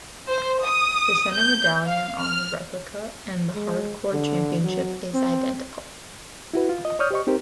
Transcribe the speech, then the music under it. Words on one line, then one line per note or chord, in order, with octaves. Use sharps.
The center medallion on the replica and the Hardcore championship is identical.
C5
D#6
G6
F5
F6
G#3
D3
F#3
C4
E4 F#4 B4
F4
D#5
C#5 D5 C#6 D#6 F6 G6
G4 C5 D#5 C#6
C4 D#4 G4 A#4 C5